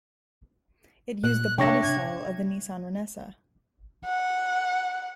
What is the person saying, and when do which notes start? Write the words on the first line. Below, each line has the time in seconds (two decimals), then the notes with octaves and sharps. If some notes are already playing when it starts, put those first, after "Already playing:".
It used the bodystyle of the Nissan R'nessa.
1.24 A#2 F#6
1.58 C3 D4 C#5 E5 G5 C#6 A#6
1.83 G#6
4.05 F#5